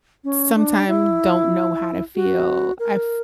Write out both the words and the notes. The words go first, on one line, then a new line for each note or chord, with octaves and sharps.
sometime don't know how to feel. I've
C#4
D4
E4
F#4
A#4